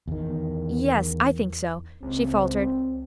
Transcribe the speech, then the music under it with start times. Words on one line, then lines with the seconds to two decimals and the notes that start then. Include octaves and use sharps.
"Yes--I think so," she faltered.
0.08 E2 D#3
2.03 C#2 C4